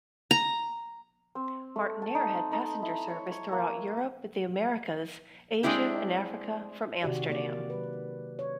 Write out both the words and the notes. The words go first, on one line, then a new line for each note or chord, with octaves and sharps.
Martinair had passenger service throughout Europe, the Americas, Asia, and Africa from Amsterdam.
A#5
C4
A3
A5
D#4
D#4
E4
C#5
C#5
A#3
G#3 C4 D4 E4 G4
C3 D#3 F#4 G4 D5
A#3 D5
F#3 B4
C#5